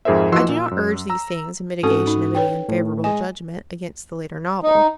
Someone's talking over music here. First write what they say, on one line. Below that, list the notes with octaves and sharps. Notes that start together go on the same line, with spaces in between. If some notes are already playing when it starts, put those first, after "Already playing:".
I do not urge these things in mitigation of any unfavourable judgment against the later novel.
F2 G#2 G#4 A#4 C5 E5
E3 F3 F#4 D#5 C6 E6
A#2
F#2
A#5 E6
G#2 C4 C#4 F#4 A4 D#6
D#4
B4 C#5 G5
A2
G#3 D#5 G#5
D#4